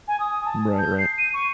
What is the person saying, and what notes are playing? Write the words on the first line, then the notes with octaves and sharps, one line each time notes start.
Right, right.
G#5
D#6
A5
G6
C7
D#7
C#6